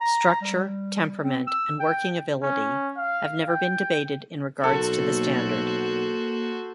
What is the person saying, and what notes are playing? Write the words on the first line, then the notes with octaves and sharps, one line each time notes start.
Structure, temperament and working ability have never been debated in regards to the standard.
A#5
G3
C4
E6
G5
C#4
F5
G5
B1 A#3 F#4 A4 C5